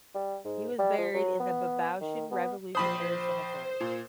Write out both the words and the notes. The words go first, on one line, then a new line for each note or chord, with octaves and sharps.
He was buried in the Babaoshan Revolutionary Cemetery.
G3
G#2
G3
F3
F#3
B3
D#3
B3
A#1 C5 B5 D#6
A#2